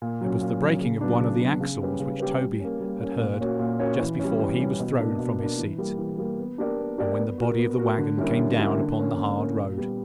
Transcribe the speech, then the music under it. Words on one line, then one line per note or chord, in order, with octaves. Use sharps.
It was the breaking of one of the axles which Toby had heard just before he was thrown from his seat, and when the body of the wagon came down upon the hard road.
A#2
F#3 C#4
A#2
F#3 C#4
C#3
F#3 B3 D4
C#3
F#3 B3 D4
C#3
G3 C#4 G4 B4
C#3
G3 C#4 G4 B4
G3
A#3 C#4
G3
A#3 C#4
A#2
A#3 C#4 F#4 C#5
A#2
A#3 C#4 F#4 C#5
E3
G3 C#4
E3
G3 C#4
B2
A#3 D4
B2
A#3 D4
E3
G3 A#3
E3
G3 A#3
B3
D4 G4 A#4 D5
B3
D4 G4 A#4 D5
B3
F#4 A#4
B3
F#4 A#4
D3
G3 C#4 E4 A#4
D3
G3 C#4 E4 A#4
D3
A#3 C#4
D3
A#3 C#4
A#2
G3 B3